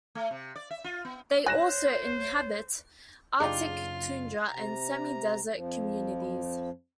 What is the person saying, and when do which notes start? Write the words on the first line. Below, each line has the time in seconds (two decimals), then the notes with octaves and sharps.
They also inhabit arctic tundra and semidesert communities.
0.15 A3
0.31 C3
0.56 D5
0.71 E5
0.84 F4
1.05 B3
1.46 C5 C#5 G#5 F#6 A#6 E7
3.40 F#2 C#3 D4 D#4 F4 G4 G#4
4.49 C3 A#5
5.53 F2 F3